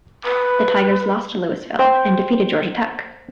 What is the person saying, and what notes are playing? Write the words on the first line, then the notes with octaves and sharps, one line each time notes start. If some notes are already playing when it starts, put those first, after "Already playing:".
The Tigers lost to Louisville and defeated Georgia Tech.
B4
C5 G5